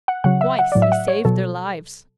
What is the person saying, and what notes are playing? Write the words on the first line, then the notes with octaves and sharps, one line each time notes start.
Twice he saved their lives.
F#5
C#3 F#3 F#5
E5
F#5
A2 F#3 D5
E5
F#5
C#5
B2 F#3 A4